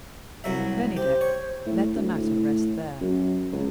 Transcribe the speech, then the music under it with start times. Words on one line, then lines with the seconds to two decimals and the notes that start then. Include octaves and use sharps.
Bennydeck let the matter rest there.
0.44 C2 F#3 E5
0.97 G4 C5
1.21 C#5
1.66 A2
1.95 D2
2.15 A2
3.01 F#2
3.52 C#2